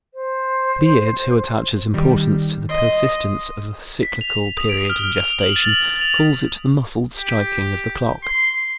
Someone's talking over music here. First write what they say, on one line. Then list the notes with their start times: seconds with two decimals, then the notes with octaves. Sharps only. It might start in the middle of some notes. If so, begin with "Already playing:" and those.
Beard, who attaches importance to the persistence of a cyclical period in gestation, calls it the muffled striking of the clock.
0.14 C5
1.94 D#3 G3
2.69 D#5 C6
4.03 B6
4.21 F7
4.57 D#6
4.70 D7
4.90 F6
5.18 F7
5.41 F#7
5.56 A6
5.69 F#7
6.01 F7
7.17 G4
8.23 C6